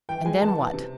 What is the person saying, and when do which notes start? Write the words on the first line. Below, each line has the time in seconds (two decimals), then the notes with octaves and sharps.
"And then what?"
0.09 E3 G5
0.25 G#3 G#5
0.41 E3 A5
0.58 E3
0.73 C3